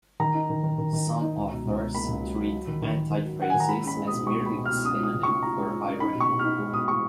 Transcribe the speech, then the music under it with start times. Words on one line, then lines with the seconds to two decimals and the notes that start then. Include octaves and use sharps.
Some authors treat antiphrasis as merely a synonym for irony.
0.20 D#3 A#5
0.35 D#4
0.50 D#3
0.63 D#3
0.78 D#3
0.93 D#3
1.08 D#3
1.22 D#4
1.37 C#2
1.51 B2
1.65 C#2
1.79 B2
1.94 A#3 B5
2.08 C#2
2.23 F#3
2.38 F#3
2.53 F#3
2.67 D#3
2.82 D#3
2.96 D#3
3.10 D#3
3.25 F#3
3.40 F#3 F#5
3.50 D#3 G#5
3.60 A#5
3.69 G#3 B5
3.83 C#4 B5
3.97 G#3
4.07 B2 D#6
4.26 B2 C#6
4.42 G#3 B5
4.55 B2
4.66 B2 F6
4.85 C#4 D#6
4.99 F4 D#6
5.14 C#3
5.23 F4 C#6
5.43 F4 A#5
5.58 G#3
5.72 F4
5.86 C#4
6.00 D#4 B5
6.15 B2
6.20 C#6
6.30 B2
6.39 F6
6.44 D#4
6.59 G#3
6.73 B2 D#6
6.88 G#3 C#6